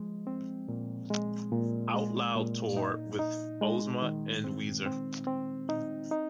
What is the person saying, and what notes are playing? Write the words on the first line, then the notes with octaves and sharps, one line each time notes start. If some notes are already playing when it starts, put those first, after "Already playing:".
Outloud tour with Ozma and Weezer.
Already playing: F3 G#3
C4
A#2
G#3
A#2
G#3
A#2
D#4
D#4
G#3
D#3
C4
C4
C4
D#4
D#4